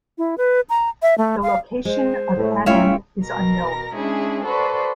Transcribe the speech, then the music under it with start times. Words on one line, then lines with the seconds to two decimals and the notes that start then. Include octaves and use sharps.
The location of Anem is unknown.
0.18 E4
0.38 B4
0.70 A#5
1.02 E5
1.18 A3
1.43 F5
1.85 G#3 C5
2.36 A2
2.66 A3 C#4 E4 F4 C#5 E5 F5 G5
3.22 B2 A#4 A#6
3.94 G#3 C#4 D4 E4 G#4
4.44 F#4 A4 B4 C5 D5